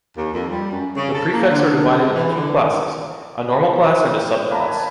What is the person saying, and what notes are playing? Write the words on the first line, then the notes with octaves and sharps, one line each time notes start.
The prefects are divided into two classes: A normal class and a sub-class.
D#2
F2
G3
F#2
C#3
A4
A#3
D3
G#2
E3
D3
D#3
G5
A#3 B4 A5 A#5
G#5